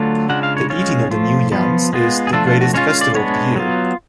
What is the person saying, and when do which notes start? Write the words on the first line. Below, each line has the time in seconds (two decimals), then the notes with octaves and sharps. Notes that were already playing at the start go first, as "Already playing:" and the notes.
The eating of the new yams is the greatest festival of the year.
Already playing: D3 F#3 A3 F4
0.29 C#3 G#3 D4 F4 F#5
0.43 F5
0.57 C#5
0.70 G#3 C#4 F4 C#5
1.11 F3 A3 F4
1.52 F3 B3 F4
1.93 G#3 B3 F4
2.27 G#4
2.33 F3 A3 D4 F4 A4
2.47 F4
2.61 F#4
2.74 G#3 C#4 F4 C#5
2.88 F5
3.01 D5
3.15 G#3 B3 D4 C#5
3.56 F#3 B3 F4